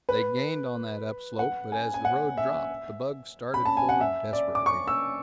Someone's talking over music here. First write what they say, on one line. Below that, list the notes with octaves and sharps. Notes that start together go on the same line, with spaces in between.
They gained on that upslope, but as the road dropped, the bug started forward desperately.
B4
F#5
G#5
G#5
F#5
E5
B5
A5
G#5
F#5
E5
D5
D6
C#6
E6